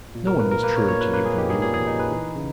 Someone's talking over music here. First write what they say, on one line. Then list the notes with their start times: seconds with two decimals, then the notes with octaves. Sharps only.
No one was truer to you than we were, you know.
0.15 A#2
0.27 A#4
0.39 A#3 B4
0.51 A#4
0.63 A#3 B4
0.76 C#5
0.88 A#2 C#5
1.01 B4
1.13 A#3 B4
1.25 G#4
1.38 D#4 G4
1.50 G#4
1.62 A#2 G#4
1.74 G#4
1.87 D#4
1.99 B4
2.11 E3
2.36 C#3